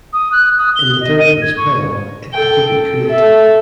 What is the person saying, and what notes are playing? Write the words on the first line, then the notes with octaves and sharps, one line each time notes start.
In the third place playoff, it defeated Kuwait.
D#6
F#6
D#6
G7
D#5
D#7
G#6
C#6
A4 G5
A4
A4 E5